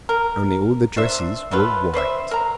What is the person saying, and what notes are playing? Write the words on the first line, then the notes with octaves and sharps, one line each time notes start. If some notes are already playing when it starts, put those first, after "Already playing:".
Only all the dresses were white.
A#4
D4 C5 E5
F#3 A3 F4 B4
B4 C5 D5 E5
A#4 A#5